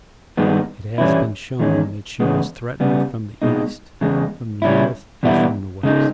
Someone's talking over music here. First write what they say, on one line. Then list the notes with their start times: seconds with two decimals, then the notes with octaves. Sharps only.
It has been shown that she was threatened from the east, from the north, and from the west.
0.37 G2 D#3 G#3 B3
0.98 G2 E3 G3 C#4 E4
1.59 E2 D#3 G#3 C#4
2.20 E2 C#3 G#3 B3
2.80 C#3 G3 B3
3.42 B2 G#3 D#4
4.01 E2 C#3 G#3
4.62 C#3 G3 C#4 E4
5.23 E2 B2 G3 B3 E4
5.83 C#3 G#3 D#4